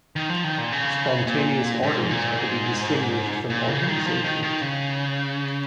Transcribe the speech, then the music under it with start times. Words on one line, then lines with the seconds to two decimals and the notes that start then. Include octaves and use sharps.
Spontaneous orders are to be distinguished from organizations.
0.16 D#3
0.29 F3
0.44 D#3
0.58 A#2
0.72 C#3
1.27 A#2
1.83 G#2
2.11 A#2
2.38 G#2
3.50 A#2
3.68 C#3
3.87 D#3
4.06 F3
4.24 D#3
4.43 D#3
4.61 C#3